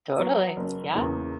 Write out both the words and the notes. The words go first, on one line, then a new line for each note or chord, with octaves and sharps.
Totally. Yeah.
F#3 B3
F#1
E2 C#3 E3 A#3